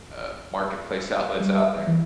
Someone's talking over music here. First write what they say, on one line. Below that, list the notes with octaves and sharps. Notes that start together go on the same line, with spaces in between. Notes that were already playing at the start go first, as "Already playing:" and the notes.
uh, marketplace outlets out there
G3
E5
E3